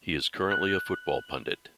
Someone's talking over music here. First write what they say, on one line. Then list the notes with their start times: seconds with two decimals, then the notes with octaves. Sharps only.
He is currently a football pundit.
0.52 F#6